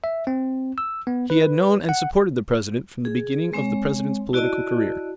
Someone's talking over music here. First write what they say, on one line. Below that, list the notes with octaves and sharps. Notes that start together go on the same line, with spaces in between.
He had known and supported the President from the beginning of the President's political career.
E5
C4
E6
B3
B4
F#5
G#4
G#3 C4 C#5
E4 F#4 D5 D#5 A5